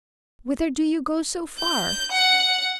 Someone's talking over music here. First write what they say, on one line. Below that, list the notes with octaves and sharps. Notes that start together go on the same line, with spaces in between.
Whither do you go so far?
G6
F#5